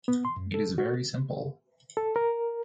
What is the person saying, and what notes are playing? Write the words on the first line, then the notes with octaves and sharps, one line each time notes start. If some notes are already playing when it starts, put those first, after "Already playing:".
It is very simple.
B3
C6
F#2
A4
F#4
A4
A#4